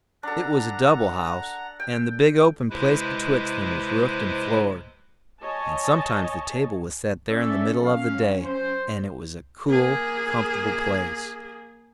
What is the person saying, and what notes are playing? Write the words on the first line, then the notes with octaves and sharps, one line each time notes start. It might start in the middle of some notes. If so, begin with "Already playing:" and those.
It was a double house, and the big open place betwixt them was roofed and floored, and sometimes the table was set there in the middle of the day, and it was a cool, comfortable place.
D4 A4 F#5 A#5
G5
C3 G#3 E4 B4 C5
C#5 D#5 G#5 A5
C#4 A4 D5 E5
F#3 C#4 F5
C5
A#3 G#4